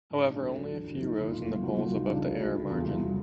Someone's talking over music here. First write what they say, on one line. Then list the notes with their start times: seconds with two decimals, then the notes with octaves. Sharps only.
However, only a few rose in the polls above the error margin.
0.10 G#2
0.25 A#1 D4
0.40 D2
0.56 F#3
0.72 E3
0.87 F#1
1.02 F3 D#4
1.17 F1 E4
1.32 A#2 F4
1.48 C2
1.63 C2 F#4
1.78 C2 F4
1.94 F2 D#4
2.05 D4
2.09 C#3 D#4
2.24 D2
2.40 D2
2.55 C#3 E4
2.70 E2 F4
2.86 C2
3.01 F#3